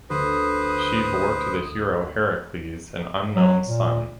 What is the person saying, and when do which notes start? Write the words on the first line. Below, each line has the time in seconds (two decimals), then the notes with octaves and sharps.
She bore to the hero Heracles an unknown son.
0.10 D2 B4 C5 D#6
3.35 F#3
3.66 A#2